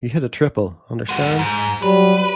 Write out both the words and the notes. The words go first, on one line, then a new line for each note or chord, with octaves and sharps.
You hit a triple, understand?
G#3 F#4
G#2
F#3 G3 B4